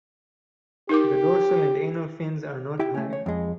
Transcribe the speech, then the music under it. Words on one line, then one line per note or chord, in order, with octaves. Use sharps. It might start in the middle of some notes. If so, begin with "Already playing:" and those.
The dorsal and anal fins are not high.
D#4 G4 A#4 D6
E4 G4 G5
A3 C#4
C#5
F2 G#3